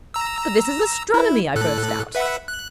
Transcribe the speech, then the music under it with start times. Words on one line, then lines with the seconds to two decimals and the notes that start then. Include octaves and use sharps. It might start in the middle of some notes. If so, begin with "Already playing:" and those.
'But this is astronomy,' I burst out.
0.14 A#5 E6
1.14 E4
1.55 A2 A4 F#6
2.15 B4 E5 F#5
2.48 F#6